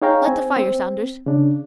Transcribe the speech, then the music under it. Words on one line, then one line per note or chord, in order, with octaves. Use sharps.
Light the fire, Saunders.
D#4 G#4 C#5 F5 G5 A#5
C4 G#5
C4
C#3 D4